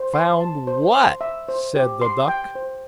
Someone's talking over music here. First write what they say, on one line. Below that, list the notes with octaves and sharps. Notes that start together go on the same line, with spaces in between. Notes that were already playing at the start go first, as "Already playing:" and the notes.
'Found WHAT?' said the Duck.
Already playing: C5
C6
A5
C5
C6
E5
C5
G4
C6
G5
C5